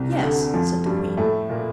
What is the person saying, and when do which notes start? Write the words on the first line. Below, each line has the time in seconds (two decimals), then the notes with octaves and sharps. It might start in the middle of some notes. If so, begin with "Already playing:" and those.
"Yes," said the queen.
Already playing: C2 C3
0.12 C3
0.22 D2 D3
0.54 F2 F3
0.86 G2 G3
1.17 A2 A3
1.50 A#2 A#3